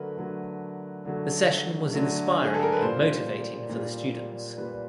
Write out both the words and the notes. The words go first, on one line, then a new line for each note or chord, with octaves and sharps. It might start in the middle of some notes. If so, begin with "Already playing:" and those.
The session was inspiring and motivating for the students.
Already playing: D3 F#3 A3 A#4 B4
D3 F#3 A3
D3 F#3 A3
D3 F#3 A3
G#4
A4
A#4
B4
A#2 G3 C5
A#2 G3
A#2 G3 B4